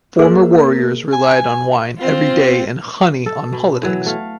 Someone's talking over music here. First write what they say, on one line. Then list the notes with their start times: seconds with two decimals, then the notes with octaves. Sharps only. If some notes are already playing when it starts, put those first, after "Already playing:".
Former warriors relied on wine every day and honey on holidays.
0.19 A#3 G#4 A#4 C5
1.13 G#5
1.98 C4 F4
3.26 A4
3.52 B2
3.83 E3 F#3
4.06 A3 F5